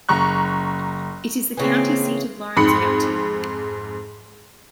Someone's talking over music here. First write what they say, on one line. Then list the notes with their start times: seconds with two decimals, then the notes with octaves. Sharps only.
It is the county seat of Lawrence County.
0.09 F#1 A#5 C#6 F#6
1.57 C#3 E3 A#3 C4
2.56 F2 G#2 B5 C6 C#7